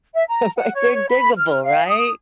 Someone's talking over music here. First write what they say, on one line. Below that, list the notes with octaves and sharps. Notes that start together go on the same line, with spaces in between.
but they're diggable, right?
E5
A#5
F#5
C#5
B5
F6
F5
D#6